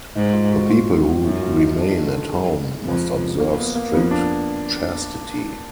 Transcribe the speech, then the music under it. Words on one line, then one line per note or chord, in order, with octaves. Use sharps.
The people who remain at home must observe strict chastity.
G#2 D#4
F4
F#4
F4
F#4
F4
F#2 F#4
F4
D#4
D4
D#3
D3
G#3
F2
A#3
B3
A#3
F2 B3
D4